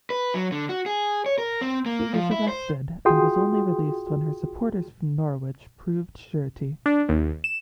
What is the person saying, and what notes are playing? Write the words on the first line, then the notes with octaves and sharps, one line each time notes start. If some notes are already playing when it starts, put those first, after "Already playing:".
She was arrested and was only released when her supporters from Norwich proved surety.
B4
F#3
D3
F#4
G#4
C#5
A#4
C4
A#3
F3
E4
C5
F4 F#4 G#4 G5 C6 D#6
D4
D#2
E7